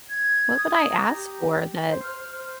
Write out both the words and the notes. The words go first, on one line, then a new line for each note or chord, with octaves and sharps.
what would I ask for that
G#6
D#6
A#5
G4
C5
F6
C5